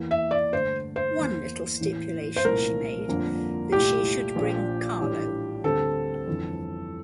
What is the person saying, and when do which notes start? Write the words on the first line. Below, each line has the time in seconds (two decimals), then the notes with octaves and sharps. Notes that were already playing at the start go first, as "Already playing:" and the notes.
One little stipulation she made, that she should bring Carlo.
Already playing: E2 E3 A#3
0.11 E5
0.31 D5
0.53 G2 D3 A3 C5
0.96 C5
1.17 E2 E3 A#3
1.80 A1 A2 E3 A#3
2.36 C5
2.44 C2 A#2 F3 A3 C4 A#4
3.08 G1 F2 D3 F3 A#3
3.72 C2 A#2 A3 E4 G4
4.36 A#1 A#2 F3
5.00 A1 A2 G3 D4 F4
5.64 D2 D3 G3 C4 A4
6.27 G1 F2 E3